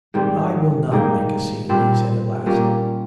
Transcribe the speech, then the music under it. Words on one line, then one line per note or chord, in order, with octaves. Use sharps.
'I will not make a scene,' he said at last.
G#2 D#3 G3 C4
G#2 G3 A#3 D#4
A#2 G3 C4
A#2 G3 A#3 C#4